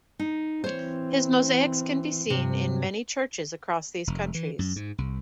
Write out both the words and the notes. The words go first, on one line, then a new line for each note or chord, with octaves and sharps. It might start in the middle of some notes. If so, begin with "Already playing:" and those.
His mosaics can be seen in many churches across these countries.
D#4
E3 C4 C5 C#5
G2 C3
F1
E3
F#2
G#2
C2